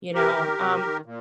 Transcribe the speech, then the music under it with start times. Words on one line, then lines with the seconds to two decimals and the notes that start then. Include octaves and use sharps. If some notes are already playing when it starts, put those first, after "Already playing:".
you know, um,
0.13 C3 G4 A#4
0.37 D#3
0.59 C3
0.83 D#3
1.05 A#2